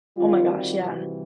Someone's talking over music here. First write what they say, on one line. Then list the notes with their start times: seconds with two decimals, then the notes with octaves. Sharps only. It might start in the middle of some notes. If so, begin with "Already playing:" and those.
Oh my gosh. Yeah.
0.16 D#3 G3 C4 F4
0.48 F#4
0.78 C3 E3 G3